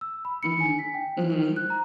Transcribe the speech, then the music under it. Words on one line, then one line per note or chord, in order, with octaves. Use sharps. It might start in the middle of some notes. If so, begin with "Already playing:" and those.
Mhm. Mhm.
E6
B5
C#7
G#5
B6
G5
C5
F#6
A#5